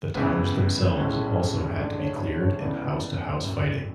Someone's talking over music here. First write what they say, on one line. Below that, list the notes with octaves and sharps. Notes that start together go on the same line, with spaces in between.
The towns themselves also had to be cleared in house-to-house fighting.
C#2 C#3 E3 B3 B4
B1 A2 G#3 C#4 E4
D2 D3 G#3 D4 D5
C#5
C#5
C#5
C#2 C#3 E3 B3 E4 D5
G#1 F#2 E3